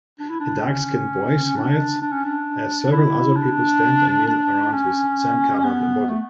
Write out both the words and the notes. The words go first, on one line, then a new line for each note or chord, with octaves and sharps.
A darkskinned boy smiles as several other people stand and kneel around his sandcovered body.
D4
E4
D4
C#4
D4
D4
C#4
D4
E4
D4
D4
C#4
B3
A3